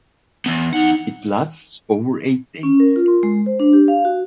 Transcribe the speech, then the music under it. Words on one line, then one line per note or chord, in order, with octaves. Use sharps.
It lasts over eight days.
E3 B3
E2 D#4 F#5
C#4
A#4
F4
C6
G#3
C5
D4
G4
F5
F#4